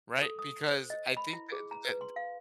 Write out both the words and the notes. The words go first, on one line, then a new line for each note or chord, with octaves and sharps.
Right? Because I think that that
A4
D#6
C5
D#5
B5
E4
G#4
A#5
B4
C6
F5